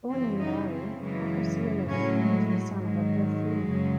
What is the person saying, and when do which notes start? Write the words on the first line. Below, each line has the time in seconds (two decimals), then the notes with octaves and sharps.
Born in Bari, Boccasile was the son of a perfumer.
0.11 F#2 C#3 E3 C4
0.41 D#4
0.70 C4
1.00 F#2 C#3 E3 G#3
1.89 A2 F#3 C#4
2.19 G#3
2.48 F#3
2.78 G#2 D#3 F#3 G#3
3.23 G#3
3.67 F#2 C#3 F#3